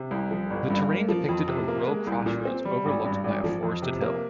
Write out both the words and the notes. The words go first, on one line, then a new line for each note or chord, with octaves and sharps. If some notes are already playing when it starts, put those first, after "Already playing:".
The terrain depicted a rural crossroads overlooked by a forested hill.
Already playing: C3
C2
F3
G1
G2
A#3
F3
F2
C3
A#3
G#3
C2
A#2
C4
G3
G#1
G2
G#1
F3
F2
C3
A#3